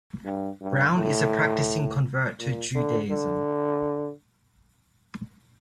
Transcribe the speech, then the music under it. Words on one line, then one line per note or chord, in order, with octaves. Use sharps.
Brown is a practicing convert to Judaism.
G2
G2
A2
A#2
D3
D3